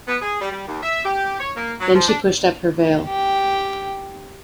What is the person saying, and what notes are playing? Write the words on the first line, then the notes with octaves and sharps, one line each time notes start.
Then she pushed up her veil.
B3
G#4
G3
G3
D#2
E5
G4
C#5
A#3
F#3
F3
D4
G4 G5